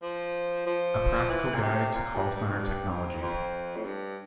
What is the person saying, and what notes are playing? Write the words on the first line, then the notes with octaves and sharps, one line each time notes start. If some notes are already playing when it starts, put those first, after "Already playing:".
A Practical Guide to Call Center Technology.
F3
F3
E3
A#2
C3
A#2
G2
G2
F2
G2
F2
F2
A2
G2